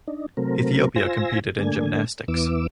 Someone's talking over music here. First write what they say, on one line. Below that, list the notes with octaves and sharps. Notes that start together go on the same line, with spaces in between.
Ethiopia competed in gymnastics.
D4 D#4
C3 F#3 A3 C4 A#4
F4 C5 G#5 E6 A#6
D3 A3 A#3 D4 G#5
E2 E3 B3 D6 E6